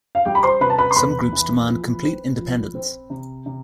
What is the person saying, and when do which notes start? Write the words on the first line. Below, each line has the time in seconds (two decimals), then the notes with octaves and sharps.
Some groups demand complete independence.
0.15 F5
0.25 G3 G4 G5
0.35 B5
0.43 C5 C6
0.61 C3 B4 B5
0.70 A5
0.78 B4 B5
0.91 C6
0.96 E2 B4 B5
1.33 E3
1.68 F3
2.03 C4
2.39 F3
2.75 C4
3.10 C3
3.46 C3